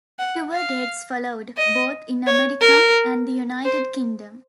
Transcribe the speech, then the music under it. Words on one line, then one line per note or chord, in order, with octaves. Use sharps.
Tour dates followed, both in America and the United Kingdom.
F#5
F5
D#5
C#5
A#4
C5